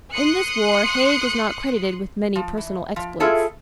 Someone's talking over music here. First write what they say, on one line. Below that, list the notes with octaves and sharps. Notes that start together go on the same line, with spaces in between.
In this war, Haig is not credited with many personal exploits.
C6 D#6 F#6 C#7
F3
E3
F3
E4 F4 G#4 A4 E5